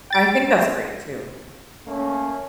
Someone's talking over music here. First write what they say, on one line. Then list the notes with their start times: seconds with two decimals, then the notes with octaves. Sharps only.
I think that's great, too.
0.10 G5 A6 D7
1.87 A3 A#3 C#4